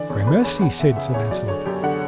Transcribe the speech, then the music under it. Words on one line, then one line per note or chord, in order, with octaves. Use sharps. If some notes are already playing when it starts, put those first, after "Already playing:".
Gramercy, said Sir Launcelot.
Already playing: D3 E3 D5
E2 C#5
E2 B4
E2 C#5
E2 F#5
E2 E5
C#3 E5
E2 C#5
F#3 D5
D3 C#5
F#2 G4
D3 F#5